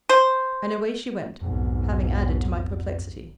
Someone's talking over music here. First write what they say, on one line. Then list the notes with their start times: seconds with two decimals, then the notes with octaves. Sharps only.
And away she went, having added to my perplexity.
0.09 C5
1.41 B1 F2 G#2